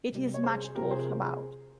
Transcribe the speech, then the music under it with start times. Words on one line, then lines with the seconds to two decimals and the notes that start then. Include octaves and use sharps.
It is much talked about.
0.12 C3 G3
0.34 C#5
0.43 G#4 C5
0.64 G#4
0.75 C3 F3 G4 A#4
0.91 G#4 C5
1.22 G#4